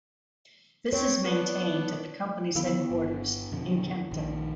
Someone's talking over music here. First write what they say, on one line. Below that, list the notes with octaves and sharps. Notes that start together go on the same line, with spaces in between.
This is maintained at the company's headquarters in Kempten.
C4 C#5
B3 D4
D3 D#3 F3 B3 E4 F5
G1
F2 B2 D3
A#1 D#3